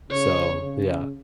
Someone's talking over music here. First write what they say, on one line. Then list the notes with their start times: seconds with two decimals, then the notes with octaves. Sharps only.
so yeah.
0.10 C#3 C#5
0.61 C#3